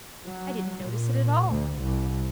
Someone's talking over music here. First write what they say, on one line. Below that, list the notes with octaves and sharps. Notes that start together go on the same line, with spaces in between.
"I didn't notice it at all."
F#3
A#2
D2
C2